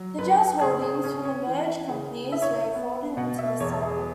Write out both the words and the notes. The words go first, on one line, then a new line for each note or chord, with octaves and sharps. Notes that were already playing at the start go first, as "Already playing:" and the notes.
The jazz holdings from the merged companies were folded into this sub-group.
Already playing: F#3
F#2 B4
C#3 G#4
G#4
C#4 G#4
C#5
E3
C#3
E4 E5
C#5
E5
B3
B2 F#5
E5
E2 C#5
G#4